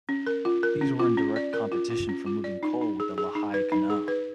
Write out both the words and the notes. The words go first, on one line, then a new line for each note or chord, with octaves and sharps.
These were in direct competition for moving coal with the Lehigh Canal.
C#4
A#4
F4
A#4
C#4
F4
C#4
D5
A#4
F4
F4
C#4
F4
D5
D#4
D#4
G#4
G#4
D#4
B4
D#4
G#4
B4